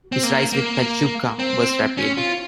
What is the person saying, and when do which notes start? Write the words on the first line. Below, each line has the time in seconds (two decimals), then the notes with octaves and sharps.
His rise with Pachuca was rapid.
0.12 C4
0.23 A#3
0.53 A#3
1.39 C4
1.97 C#4
2.17 F4